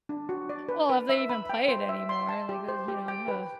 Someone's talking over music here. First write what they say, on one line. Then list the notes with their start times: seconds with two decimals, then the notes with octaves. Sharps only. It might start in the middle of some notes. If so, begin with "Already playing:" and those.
well, if they even play it anymore, like, th you know, ugh.
0.09 D4
0.29 F#4
0.49 D5
0.69 B4
0.90 B4
1.09 E5
1.30 B5
1.49 G5
1.68 C5
1.89 E5
2.09 C6
2.29 A5
2.49 G4
2.68 C5
2.88 G4
3.08 G5
3.28 B4